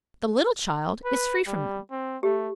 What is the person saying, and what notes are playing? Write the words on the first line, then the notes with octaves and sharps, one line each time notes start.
The little child is free from them.
B4
G3
C4
A3 G4